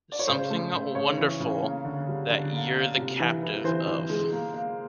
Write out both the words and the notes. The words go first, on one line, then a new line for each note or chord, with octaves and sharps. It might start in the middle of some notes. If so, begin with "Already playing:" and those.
Something wonderful, that you're the captive of.
D5
C#5
C#3 C5
A3
C#3
C#3 C#5
E3
C#3
A#3
D3
G3
D3
A#3
A#3
C3
E3
E3
E3 C5
E3
G#3
A#3
A#3